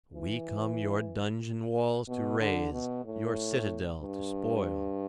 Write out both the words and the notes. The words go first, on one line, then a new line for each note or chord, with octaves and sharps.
We come your dungeon walls to raze, your citadel to spoil!
E3
B2
D3
B2
A2
G2